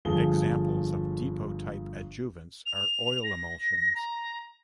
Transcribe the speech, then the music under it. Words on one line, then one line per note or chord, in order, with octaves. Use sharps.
Examples of depot type adjuvants are oil emulsions.
G1 F3 G#4 G7
F7
A#6
A#5